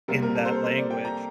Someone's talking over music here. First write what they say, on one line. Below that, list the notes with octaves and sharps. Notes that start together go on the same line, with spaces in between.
in that language.
C3 G3 A#3 A#4
A#4
A4
C5
A#4
C5
D5
G5
A#5